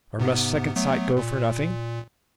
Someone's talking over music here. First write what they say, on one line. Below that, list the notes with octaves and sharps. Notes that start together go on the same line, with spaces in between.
Or must second-sight go for nothing?'
G#2 C3 B3
F#3 A3 B3
A#2